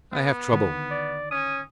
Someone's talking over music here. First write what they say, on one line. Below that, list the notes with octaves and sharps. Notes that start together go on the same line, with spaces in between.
"I have trouble."
B3
D3 D#3
D5
C#4 D#6